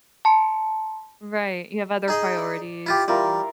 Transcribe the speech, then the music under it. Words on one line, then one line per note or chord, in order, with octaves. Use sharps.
Right, you have other priorities and
A5 A#5 C6 C#7
D#4 G#4 D#5
D5
E4 F4 G4
G3 E4 F4 A#4